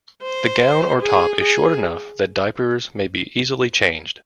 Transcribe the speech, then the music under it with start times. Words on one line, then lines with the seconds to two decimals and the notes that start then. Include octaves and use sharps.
The gown or top is short enough that diapers may be easily changed.
0.23 C5
1.01 G#4
1.39 G#4